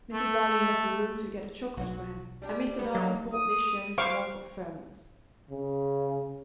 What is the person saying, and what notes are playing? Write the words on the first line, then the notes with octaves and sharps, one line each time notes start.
Mrs. Darling left the room to get a chocolate for him, and Mr. Darling thought this showed want of firmness.
A3
B1 F#3 F#4
G3 D4 G4
B3
F#3 G3 D#4
D#6
C5 F5 C#6 D6
C#3